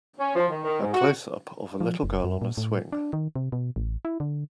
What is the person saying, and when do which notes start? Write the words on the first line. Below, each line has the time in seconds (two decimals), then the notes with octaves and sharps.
A closeup of a little girl on a swing.
0.19 C#4
0.36 F3
0.48 D#3
0.64 D#3
0.80 G#2
0.93 F#4
1.80 F3
2.03 F#1
2.24 F#2
2.42 A#2
2.57 A2
2.92 D4
3.13 D#3
3.36 C3
3.52 B2
3.76 A1
4.05 E4
4.20 D3